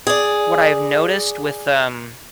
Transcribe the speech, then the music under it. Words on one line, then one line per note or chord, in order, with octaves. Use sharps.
what I've noticed with um
G#4 D5